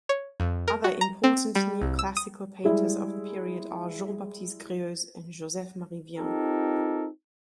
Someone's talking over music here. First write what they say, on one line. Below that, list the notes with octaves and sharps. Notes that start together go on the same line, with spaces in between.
Other important neoclassical painters of the period are Jean-Baptiste Greuze and Joseph-Marie Vien.
C#5
F2
A#4
F#4
A#5
C4
G3
C2
E6
D#6
G3 G#3 E4
C4 D#4 F4 G4 A4 A#4